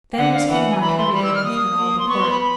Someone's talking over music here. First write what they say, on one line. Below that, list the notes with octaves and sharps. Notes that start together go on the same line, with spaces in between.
Then was King Mark heavy thereof, and all the court.
G5
D3 F#5
F5
E3 F#5
G#5
A#5
E3 B5
C6
G3 B5
E6
F6
A#3 D#6
A#3
C6
B3 C#6
C6
B5
B5